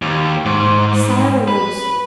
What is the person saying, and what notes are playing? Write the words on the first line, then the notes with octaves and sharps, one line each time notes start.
Sarah rose.
D#2
G#2
B4